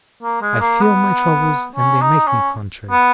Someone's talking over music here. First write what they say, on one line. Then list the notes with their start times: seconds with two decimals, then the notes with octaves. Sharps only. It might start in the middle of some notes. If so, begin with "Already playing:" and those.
I feel my troubles, and they make me contrary.
0.23 A#3
0.41 G#3
0.60 A#3
0.80 B3
1.76 C#4
2.01 D#4
2.27 C#4
2.91 B3